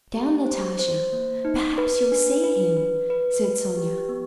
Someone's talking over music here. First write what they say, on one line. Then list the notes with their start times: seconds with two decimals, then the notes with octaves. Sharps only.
"Sit down, Natasha; perhaps you'll see him," said Sonya.
0.14 G4
0.46 C5
0.79 C5
1.12 A#3
1.45 D#4
1.78 B4
2.12 D4
2.44 B4
2.77 B4
3.10 B4
3.43 B4
3.77 G4
4.09 B3